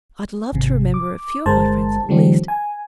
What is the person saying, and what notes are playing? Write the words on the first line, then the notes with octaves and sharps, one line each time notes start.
I'd love to remember a few of my friends at least.
G#1 C3
D6
G1 G#3 A#4 C5 A5
D3 E3 F#3 G#3 C4 D4
G#5